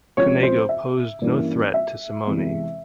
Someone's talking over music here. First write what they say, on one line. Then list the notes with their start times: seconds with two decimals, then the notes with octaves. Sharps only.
Cunego posed no threat to Simoni.
0.17 C#2 C3 F3 C4 C#5
0.43 C5
0.69 E5
1.22 G2 E3 G3 A#3 C#4
1.74 E5
2.27 E2 C3 E3 G#3 C4